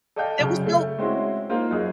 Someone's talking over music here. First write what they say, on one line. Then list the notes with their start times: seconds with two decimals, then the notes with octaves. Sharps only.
there was no"
0.16 A4 D5 D#5 F5 G5 G6
0.39 F#2 C#3
0.67 A3
0.99 G#3 C4 C#4 E4 F#4
1.50 A#3 D#4 F4 C5
1.71 F#2 G#4 D#5